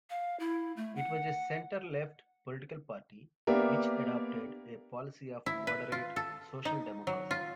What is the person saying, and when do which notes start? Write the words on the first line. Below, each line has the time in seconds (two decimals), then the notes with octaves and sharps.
It was a center-left political party, which adopted a policy of moderate social-democracy.
0.10 F5
0.40 E4
0.77 A3
0.96 F#5
3.47 A#3 B3 D4 G4 A#4 E5
5.46 E4
5.67 B4
5.92 F4
6.16 A4
6.65 D#4
7.07 F#3
7.31 F4